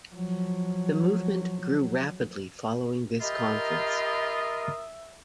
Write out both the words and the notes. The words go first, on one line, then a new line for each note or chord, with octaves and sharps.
The movement grew rapidly following this conference.
F3 F#3
F4 G4 A#4 D#5 E5 B5 D#6